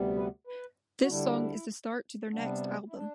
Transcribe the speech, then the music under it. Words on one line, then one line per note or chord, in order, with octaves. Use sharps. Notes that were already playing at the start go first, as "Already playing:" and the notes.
This song is the start to their next album.
Already playing: D2 C3 G3 B3
B4
B4
F#4
D2 D3 G3 D4 E4
C3 G3 B3 D4
E4
D4